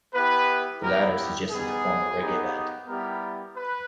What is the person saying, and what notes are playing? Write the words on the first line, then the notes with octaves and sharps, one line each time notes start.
The latter suggested to form a reggae-band.
B3 E4 G4 B4
B3 E4 G4 A#4
G4
G3 B3 D#4 G#4
B3 D#4 G4
G3 B3 E4 G4 A#4
B4